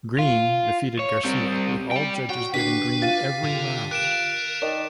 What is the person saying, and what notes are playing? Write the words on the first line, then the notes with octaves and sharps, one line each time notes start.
Green defeated Garcia with all judges giving Green every round.
F4
C#5
G3 C4
D5 G5
F#4 G5
D3 F#4 G4 B4 B6 C7
F4 A6 D#7
D3 A4
A#4 F#6 D7 E7
D#3 D5